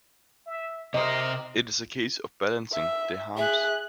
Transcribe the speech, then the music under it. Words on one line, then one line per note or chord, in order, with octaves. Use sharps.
It is a case of balancing the harms.
E5
C3 A#4 C5 D#5
E5
G#4 E5 F#6